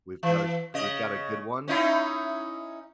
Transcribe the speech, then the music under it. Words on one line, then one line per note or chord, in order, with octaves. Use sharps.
we've got a we've got a good one.
E3
C#3 D#5
C#4 D#4 E4